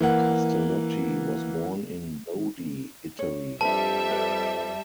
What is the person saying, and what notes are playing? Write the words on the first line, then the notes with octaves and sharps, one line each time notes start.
Castellotti was born in Lodi, Italy.
E3 A#3 F#5
C#5
F2 G3 D4 B4 E5 A5
G4 A4 B4